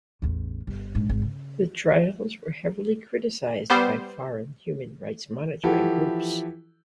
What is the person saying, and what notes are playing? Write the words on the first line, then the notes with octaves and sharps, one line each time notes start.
The trials were heavily criticised by foreign human rights monitoring groups.
A1 E2
G1
A#1 G#2
G#1
C#3
G3 B3 C5
E3 F3 E4 F#4 G4 A4